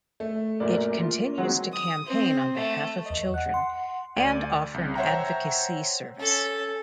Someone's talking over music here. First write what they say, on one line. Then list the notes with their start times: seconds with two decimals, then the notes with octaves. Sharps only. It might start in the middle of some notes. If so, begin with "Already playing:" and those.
It continues to campaign on behalf of children, and offer an advocacy service.
0.20 A3
0.60 A#1 F#2 A#2 A#4 D5
0.98 A#3 F4 A#4
1.38 D#3 F#3 G#3 C4 F#5
1.73 D#6
2.06 C4
2.55 A3
3.06 E2 D#5
3.34 F#5 F#6
3.54 C6
4.16 D2 D5 D#7
4.74 C2
4.95 C5 C#5 E5 F#5 G5 A#5
6.16 C#4 A4